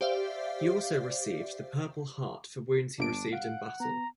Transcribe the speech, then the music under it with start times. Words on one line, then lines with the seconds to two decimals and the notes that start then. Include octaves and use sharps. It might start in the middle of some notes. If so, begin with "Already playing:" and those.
He also received the Purple Heart for wounds he received in battle.
0.01 G4 C5 D5 E5 F5
2.99 G1 D4 D7
3.33 F5 F#5
3.80 B3 A#5